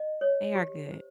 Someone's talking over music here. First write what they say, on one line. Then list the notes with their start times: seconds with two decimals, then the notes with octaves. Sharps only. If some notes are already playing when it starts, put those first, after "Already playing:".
They are good.
Already playing: D#5
0.21 C#5
0.55 G4
0.92 C5